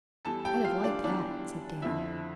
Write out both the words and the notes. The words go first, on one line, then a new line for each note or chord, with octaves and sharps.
'I'd have liked that!' said Dan.
E2 E3 G3 A4 A5
G4 G5
F4 F5
D4 D5
E2 E3 G3 D4 D5
F2 D3 F3 E4 E5